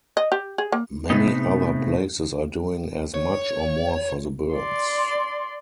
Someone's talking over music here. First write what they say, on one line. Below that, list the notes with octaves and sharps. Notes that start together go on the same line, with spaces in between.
Many other places are doing as much or more for the birds.
D#5
G4
G#4
A#3
A2 C3 G#3 A3 B3 D#4
C#5
D5 C6